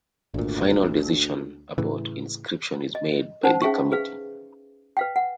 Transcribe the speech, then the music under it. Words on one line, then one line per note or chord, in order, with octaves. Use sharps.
The final decision about inscription is made by the committee.
G#1 D2 A#2
A2 C#3 E3
D#5
C#4 D#4 C5 F#5 A5
C#4 G#4 E5 F5 G5 C#6
G#4 B4 F5
B4 F5 G5
F#5